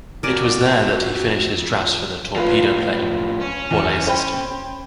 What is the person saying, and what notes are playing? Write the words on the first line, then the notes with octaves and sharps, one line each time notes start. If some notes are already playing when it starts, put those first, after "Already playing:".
It was there that he finished his drafts for the Torpedo-Plane, Paulet system.
F2 F#4 A#4 D5 G#5
A2 F3 F4 B4 F5
C#4
E2
C5 G5 B5